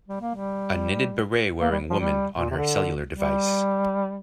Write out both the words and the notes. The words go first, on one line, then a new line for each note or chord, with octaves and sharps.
A knittedberet wearing woman on her cellular device.
G3
A#3
G3
A#3
G3
F3
G3
A#2
C3
D3
G3